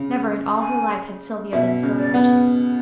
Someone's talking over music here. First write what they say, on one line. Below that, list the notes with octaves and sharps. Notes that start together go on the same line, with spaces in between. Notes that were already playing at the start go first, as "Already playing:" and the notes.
Never in all her life had Sylvia been so wretched.
Already playing: C#3
G#5
B2 E5
C#3
D5
B3